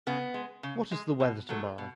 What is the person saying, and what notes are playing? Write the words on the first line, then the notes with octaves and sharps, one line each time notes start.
What is the weather tomorrow?
C#3 B3
G#3
C#3
G#3
B2
F#3 A3
B2